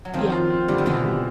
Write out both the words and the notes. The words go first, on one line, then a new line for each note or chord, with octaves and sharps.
Yeah, yeah.
F#3
D#3 F3 C4
F4
C4
D3 G3
D#3
B2 D3 E3
G3